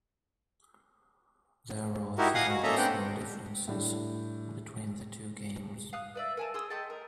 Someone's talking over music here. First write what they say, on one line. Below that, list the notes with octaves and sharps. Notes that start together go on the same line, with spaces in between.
There are a few other small differences between the two games.
D#4 E4 F#4 G4 A#4
D#5 F5 F#5 G#5 D#6
F#4
A#3 C#4 A4 D#5 E5 A#5
B3 C4 D4 F#5 G5
A2 G3 D4
F5 D#6 F#6
B4 D5 E5
A#4 G#5 A5
G#4 C6 D#6 E6
A3 D#5 G5 A5
A#4